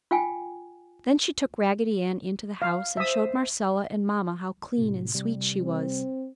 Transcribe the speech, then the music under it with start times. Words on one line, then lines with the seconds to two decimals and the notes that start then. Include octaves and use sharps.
Then she took Raggedy Ann into the house and showed Marcella and Mamma how clean and sweet she was.
0.11 F4 F5 G5 G#5
2.62 F5
2.97 C5 E5 D#6
4.78 A2 C3
5.15 C3 G3
5.62 C4